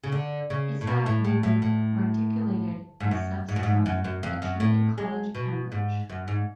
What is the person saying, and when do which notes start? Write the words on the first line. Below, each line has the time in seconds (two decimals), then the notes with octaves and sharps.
Isaac Newton matriculated as subsizar at Trinity College, Cambridge.
0.04 C#3
0.12 D3
0.50 C#3
0.81 A2
0.87 B2
1.06 A2
1.25 A2
1.43 A2
1.62 A2
3.00 G#2
3.11 F#2
3.49 G#2
3.56 F#2
3.63 G#2
3.86 F#2
4.04 F#2
4.23 F2
4.42 F#2
4.60 A2
4.98 G#3
5.35 B2
5.72 G#2
6.10 F#2
6.28 G#2